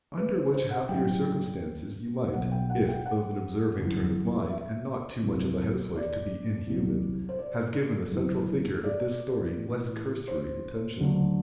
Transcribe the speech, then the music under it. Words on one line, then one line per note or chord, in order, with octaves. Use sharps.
Under which happier circumstances you might--if of an observing turn of mind and not too much of a housewife to be inhuman--have given the central figure of this story less cursory attention.
B4
C5
C5
F#5
A1 G2 F#3 G5
B1 B2 F#3 F#5
G5
F#5
G5
F#5
G1 F#2 E3
E5
C2 C3 F#3
D5
C2 C3 F#3
C5
D5
G1 F#2 E3
D5
A1 A2 E3
C5
D2 D3 F#3